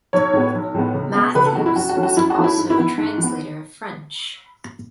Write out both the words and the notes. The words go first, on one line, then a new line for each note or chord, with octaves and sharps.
Mathews was also a translator of French.
B1 C#5
A2 G#3 B3
B1
A2 G#3 B3
C#2
B2 G#3 B3
C#2 B4
A4
B2 G#3 B3 F#4
E4
F#2 F#4
F#4
E3 A3 C#4
F#4
F#2 E4
F#4
E3 A3 C#4
E4
G#2
E4
E3 B3
G#2
E3
B3